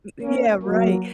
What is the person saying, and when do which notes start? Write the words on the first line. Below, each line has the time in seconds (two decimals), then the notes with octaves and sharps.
yeah, right.
0.22 A#3 C#4
0.63 F#3 A#3